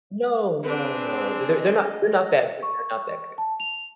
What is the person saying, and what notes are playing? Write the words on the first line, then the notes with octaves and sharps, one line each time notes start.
no, no, no. They're they're not they're not that good they're not that
C4 D4 G#4 B4
D#5
C#6
A5
F7